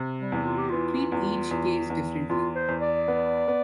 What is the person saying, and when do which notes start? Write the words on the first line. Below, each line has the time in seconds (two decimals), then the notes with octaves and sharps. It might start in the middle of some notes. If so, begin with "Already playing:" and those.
Treat each case differently.
Already playing: C3
0.20 G3
0.32 E2
0.45 F4
0.57 G4
0.69 E3 F4
1.12 E2
1.51 E2
1.90 E2
2.29 E2 F4
2.55 C5
2.68 E2
2.81 D5
3.08 B3
3.48 B3